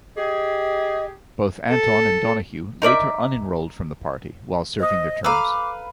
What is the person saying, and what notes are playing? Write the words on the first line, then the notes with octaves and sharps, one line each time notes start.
Both Anton and Donoghue later unenrolled from the party while serving their terms.
G4 G#4 D#5
A4
D#4 A#4 D5 E5
C5 D#5 D#6
A4 B4 F5 A#5 D6 E6